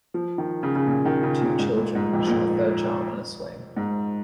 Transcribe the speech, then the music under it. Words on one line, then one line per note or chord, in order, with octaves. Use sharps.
Two children pushing a third child on a swing.
F3
D#3
C#3
C#3
A#2
D#3
C#3
A#2
G#2
A#2
G#2
F2
A#2
G#2
G#2